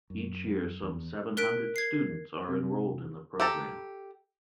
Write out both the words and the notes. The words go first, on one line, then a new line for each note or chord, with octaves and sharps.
Each year some seven hundred students are enrolled in the programme.
F#2
E2
A#4 F#6 B6 D7
G#6 C7
C3
G4 A4 A5 A#5